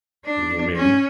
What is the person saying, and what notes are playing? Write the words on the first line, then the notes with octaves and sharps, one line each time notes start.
"Bring him in."
D4
C#4